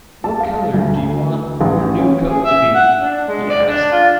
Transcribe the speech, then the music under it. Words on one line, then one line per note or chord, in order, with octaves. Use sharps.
"What colour do you want your new coat to be?" he asked.
A5
F5
D2
A1
C#4
G#4
E5
F#5
D4
G#3
D5
D4
F4